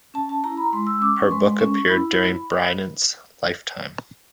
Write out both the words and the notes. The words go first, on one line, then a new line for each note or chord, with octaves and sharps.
Her book appeared during Bryant's lifetime.
C#4 A5
A5
E4 A#5
B5
G#3 C6
E6
C#4 D6
C#6
G#3 C6
C#4 C#6
E4 B5